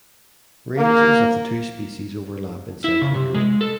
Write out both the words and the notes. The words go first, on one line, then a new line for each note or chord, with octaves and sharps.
Ranges of the two species overlap in Central Europe.
A#3
E4
C#3
C3
G#3
A4